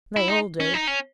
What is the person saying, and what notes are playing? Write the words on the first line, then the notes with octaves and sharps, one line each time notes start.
They all do.
E4
D#4
C#4
D#4
C#4